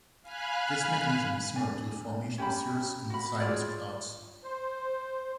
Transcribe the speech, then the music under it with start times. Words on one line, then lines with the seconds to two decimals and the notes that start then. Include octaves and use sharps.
This mechanism is similar to the formation of cirrus uncinus clouds.
0.22 F5 G#5 B5 F6 F#6
1.56 D4 G#5
2.38 C#4 G4 A#5 B5
3.10 F#4 B5
3.40 F4 G#4 C#5 D5
4.44 C5